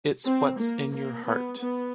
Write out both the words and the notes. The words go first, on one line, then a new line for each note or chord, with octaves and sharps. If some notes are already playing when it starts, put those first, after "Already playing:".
It's what's in your heart.
C4
A#3
A#3
B3
B3